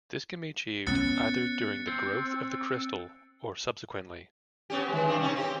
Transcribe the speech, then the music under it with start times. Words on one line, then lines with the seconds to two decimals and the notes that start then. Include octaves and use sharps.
This can be achieved either during the growth of the crystal, or subsequently.
0.87 B3 C#4 F#6 A6 C#7
1.87 C4
4.70 B3 C#4 G4
4.89 D#3 G#3
5.06 G2 C4 F4
5.19 C3 C#4 D#4
5.36 C4 G4